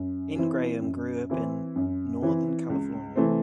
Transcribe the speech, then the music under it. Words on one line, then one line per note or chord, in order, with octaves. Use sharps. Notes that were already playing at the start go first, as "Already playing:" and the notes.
Ingraham grew up in Northern California.
Already playing: F#2
E3 C4 E4
F#2
E3 C4 E4
F#2
E3 C4 E4
C#2
C3 E3 A3 C4